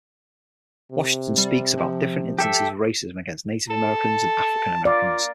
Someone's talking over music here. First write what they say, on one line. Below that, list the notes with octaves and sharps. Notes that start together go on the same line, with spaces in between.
Washington speaks about different instances of racism against Native Americans and African Americans.
C3
G3
F3
G4 A4 E5
A4 A5
A#3 F4 D5